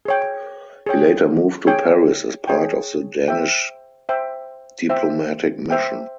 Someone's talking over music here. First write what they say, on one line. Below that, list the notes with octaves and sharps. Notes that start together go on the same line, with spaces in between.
He later moved to Paris as part of the Danish diplomatic mission.
G#4 C#5 G5
G#4 C#5 G5
G#4 C#5 G5
G#4 C#5 G5
C5 E5 G5
C5 E5 G5
C5 E5 G5
C5 E5 G5